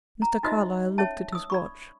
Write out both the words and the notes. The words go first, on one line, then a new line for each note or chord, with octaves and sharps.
Mr. Carlyle looked at his watch.
A#5
D#4 F4 F#4 C5 D#5 E5
C#4 C#5 E5 A5
D#6 E6
D5 B5 C#6